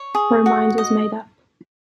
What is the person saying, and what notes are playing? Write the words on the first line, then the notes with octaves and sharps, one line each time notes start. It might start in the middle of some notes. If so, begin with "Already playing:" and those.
Her mind was made up.
Already playing: C#5
G#4
F#4
D#5